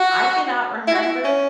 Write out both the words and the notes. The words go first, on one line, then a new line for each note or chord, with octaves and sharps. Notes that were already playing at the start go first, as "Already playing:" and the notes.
I cannot remember.
Already playing: F#4
E4
F#4
E4
C#4